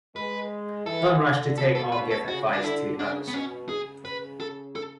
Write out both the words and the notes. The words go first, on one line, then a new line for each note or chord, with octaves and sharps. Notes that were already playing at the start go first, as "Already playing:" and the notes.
Don’t rush to take or give advice to others.
G#3 B4
E3 A4
D3
B2 A4
A4
B4
A4
C#3 F#4
D4
D3 E4
C#3 D4
B3
B2 C#4
C#3 G#4
B4
A4
A4